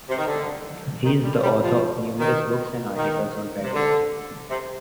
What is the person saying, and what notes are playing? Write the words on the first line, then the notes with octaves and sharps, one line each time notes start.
He is the author of numerous books and articles on patristics.
C3
D#3
D3
D#3
G3
F3
G3
F3
D#3
D#3
C3
D3
C3